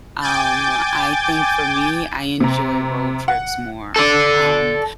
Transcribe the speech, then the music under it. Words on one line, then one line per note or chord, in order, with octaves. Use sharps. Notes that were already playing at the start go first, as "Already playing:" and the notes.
Um, I think for me, I enjoy road trips more, um,
G5 G#5 D6 G6 A6
C3 A#5
F#5
A4 D5